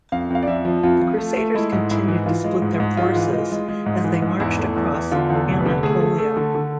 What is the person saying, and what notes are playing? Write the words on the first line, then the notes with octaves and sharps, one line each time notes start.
The Crusaders continued to split their forces as they marched across Anatolia.
F2 F5
F2 F5
D5
F2 E5
F3
F2 F4
F3
A3
A3
G#3 E4
G#2
G#2 E4
E3
E3 F4
G#3
G#2
G#2
G#3 F4
E3
G#3
G#3
G#3
G#2
E3
G#2
E2 E4
A3
E2
E2
D3 F4
E2
A4
F1
B4
D3
A3 G#4
A3
A3 A4
D3
D3